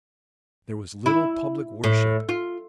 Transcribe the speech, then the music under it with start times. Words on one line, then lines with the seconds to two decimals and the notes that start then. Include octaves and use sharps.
There was little public worship.
1.06 E4
1.84 A2
2.29 F4